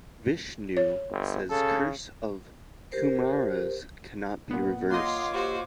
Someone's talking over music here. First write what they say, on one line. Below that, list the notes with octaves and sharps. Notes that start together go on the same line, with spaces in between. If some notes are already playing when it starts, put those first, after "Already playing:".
Vishnu says curse of Kumaras cannot be reversed.
C#5
G1
C#3 A4
G4 A#4 C5
A#2 B3 F#5
A#3 F4 C#5 D#5 C6 D6
F#4 G4 C5